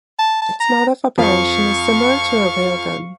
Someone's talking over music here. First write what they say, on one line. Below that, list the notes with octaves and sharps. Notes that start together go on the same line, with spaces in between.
Its mode of operation is similar to a railgun.
A5
A5
A#5
F2 F5 C#6